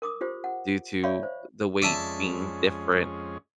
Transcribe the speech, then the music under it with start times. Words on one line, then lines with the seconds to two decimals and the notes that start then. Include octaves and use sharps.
due to the weight being different
0.02 A#4 D6 D#6
0.21 F4 G4 C5
0.44 F#5
1.03 C#5 D5 E5 F5 B5 C#6
1.23 C5
1.82 F2 G#3 C#4 D5 E5 A5